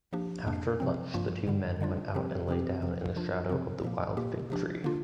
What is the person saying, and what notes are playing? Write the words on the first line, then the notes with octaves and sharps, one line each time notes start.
After lunch the two men went out and lay down in the shadow of the wild fig tree.
F3 A#3 D4 G4
F2 C3 A#3 D4
C3 F3 C4
G2 F3 A#3 F4
G2 D3 G3
D3 G3 D4 F4
C3 F3 C4 G4
C3 F3 C4 G4
F2 C3 F3
F3 D4 F4
C3 F3 C4
A#2 F3 A#3
A#2 A#3 G4
C3 F3 D4 G4
D3 A#3 D4 F4